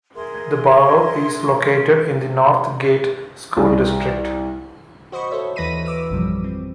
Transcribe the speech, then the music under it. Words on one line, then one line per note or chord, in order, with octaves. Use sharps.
The borough is located in the Northgate School District.
G#4 A#4 E5 C6
C2
F#4 C5 D#5 B5 C#6
A4 C5 C#5 E5
D#2 E3 B4 A#6 B6 D#7
D6 E6
A#1 F#2 C3 F3 G3
C4